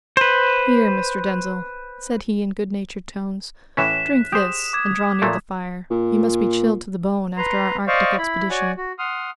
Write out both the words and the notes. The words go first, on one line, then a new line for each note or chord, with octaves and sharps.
"Here, Mr. Denzil," said he in good-natured tones, "drink this and draw near the fire; you must be chilled to the bone after our Arctic expedition."
B4 C5
A2 E3 C#4 F#6 B6 E7
G4 G#4 C5 D#6
D6 G#6
A#2 A3 A#3
A#2
B4 A#5 C6
C5 D5 D#5 F5 C#6
E4 B5
F#4 C#5 D5 F#5 G#5
F#4
F#5 C6 D#6 F6